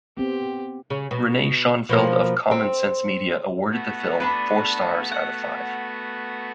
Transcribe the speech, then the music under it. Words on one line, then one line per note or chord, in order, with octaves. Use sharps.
Renee Schonfeld of Common Sense Media awarded the film four stars out of five.
B3 C4 G4
C#3
B2
B2 F3 A#3
C4
A3 B3 F#4
D4 B4
F#5